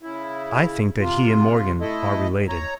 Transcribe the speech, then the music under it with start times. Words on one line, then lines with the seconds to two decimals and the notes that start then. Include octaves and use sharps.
I think that he and Morgan are related.
0.03 C#3 E4
0.99 C3 F4
1.81 A3 E4 A4 D#5
2.49 C#5 A#5